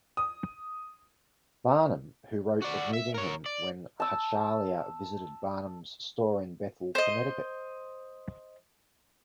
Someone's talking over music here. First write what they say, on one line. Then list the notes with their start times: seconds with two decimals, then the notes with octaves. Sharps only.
Barnum, who wrote of meeting him when Hachaliah visited Barnum's store in Bethel, Connecticut.
0.17 D#6
2.62 F#4 D5
2.93 E5
3.14 A#4 C#5
3.46 D5
4.00 A5 E6
6.95 C5 D#5